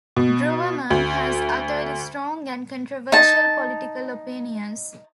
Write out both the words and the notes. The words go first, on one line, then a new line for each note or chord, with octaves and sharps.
Drewermann has uttered strong and controversial political opinions.
B2
D2
D#4 A5